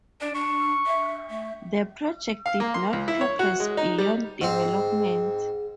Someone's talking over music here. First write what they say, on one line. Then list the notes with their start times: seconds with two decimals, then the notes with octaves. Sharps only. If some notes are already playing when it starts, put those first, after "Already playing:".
The project did not progress beyond development.
0.21 D4 D5
0.34 D4 C#6
0.86 E5
1.31 A3 E5
2.46 F5
2.60 A#3
2.74 C6
2.93 C#2
3.08 E4
3.21 C#5
3.39 F#4
3.60 G#3
3.77 D#4
3.98 G3
4.41 G#2 C4 G#4